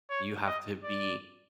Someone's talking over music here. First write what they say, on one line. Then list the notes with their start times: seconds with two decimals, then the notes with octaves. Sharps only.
you have to be
0.10 C#5
0.47 D#5
0.83 D5